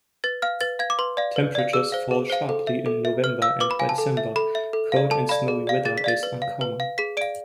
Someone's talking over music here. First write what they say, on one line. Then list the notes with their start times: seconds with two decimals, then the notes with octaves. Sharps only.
Temperatures fall sharply in November and by December, cold and snowy weather is uncommon.
0.24 B4 A6
0.42 F5 F6
0.61 B4 A6
0.79 F5 G#6
0.90 D6
0.99 B4 C6
1.17 D5 F5
1.36 B4
1.55 D5 F5
1.73 G#4 E6
1.92 C5 F5
2.11 G#4
2.30 C5 F5
2.49 A4
2.67 E5
2.86 A4
3.05 E5
3.24 B4 F6
3.42 F5 E6
3.60 B4 D6
3.71 B5
3.79 F5 G#5
3.89 A5
3.98 A4
4.17 E5
4.36 A4 B5
4.55 E5
4.73 A4
4.92 D5 F5
5.11 A4 A5
5.29 D5 F5 B5
5.48 G#4
5.67 D5 F5
5.85 G#4 A6
5.98 B6
6.04 D5 F5 A6
6.23 B4
6.42 F5
6.61 B4
6.80 F5
6.98 G#4 B6
7.17 D5 F5 D7